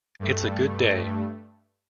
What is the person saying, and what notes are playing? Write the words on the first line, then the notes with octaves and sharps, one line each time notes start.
It's a good day.
G2 A3